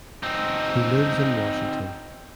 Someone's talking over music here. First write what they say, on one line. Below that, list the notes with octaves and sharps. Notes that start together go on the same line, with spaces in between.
He lives in Washington.
C4 D#4